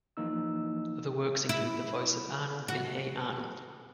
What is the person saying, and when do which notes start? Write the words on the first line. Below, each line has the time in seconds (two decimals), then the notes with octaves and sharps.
Other works include the voice of Arnold in Hey Arnold!
0.17 E3 F3 A#3 D#4 E6
1.49 E4
2.68 F#4